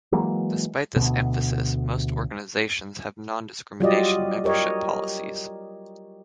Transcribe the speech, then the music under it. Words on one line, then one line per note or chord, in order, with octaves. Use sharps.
Despite this emphasis, most organizations have non-discrimination membership policies.
E3 F#3 G#3 A#3
D2 B2
F#3 G3 F4 G4 D5 D#5
G4 A#4 C#5 D#5